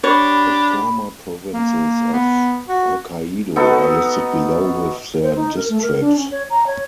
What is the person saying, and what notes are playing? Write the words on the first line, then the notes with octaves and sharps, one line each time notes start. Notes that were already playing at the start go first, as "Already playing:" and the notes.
The former provinces of Hokkaido are listed below with their districts.
D4 G4 C#5 B5
A#3
B3
F#4
B3 D#4 F#4 A4
C5
D#4
A#4
A3
A#4
D4
C#4
C#5
A#5
C#5